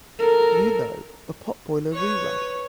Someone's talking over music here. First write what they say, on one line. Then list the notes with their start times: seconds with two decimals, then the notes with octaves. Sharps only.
You know, a potboiler rewrite.
0.19 A4 A#4
1.93 B4 C#5